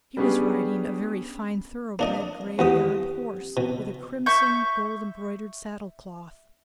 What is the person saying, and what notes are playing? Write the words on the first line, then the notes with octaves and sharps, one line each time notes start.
He was riding a very fine thoroughbred gray Arab horse with a crimson gold-embroidered saddlecloth.
G3 B3 C#4 D4 G4 G#4
A#3 D4 D#5
D#2 E3 G4 F#5 D#6
B2
E5 C#6 G6